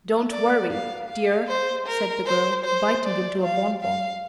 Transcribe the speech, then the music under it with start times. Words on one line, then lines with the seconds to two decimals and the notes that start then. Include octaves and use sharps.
"Don't worry, dear," said the girl, biting into a bonbon.
0.31 D5
0.70 F5
1.09 F5
1.48 C5
1.87 A#4
2.26 C5
2.65 C5
3.04 D5
3.43 F5
3.82 F5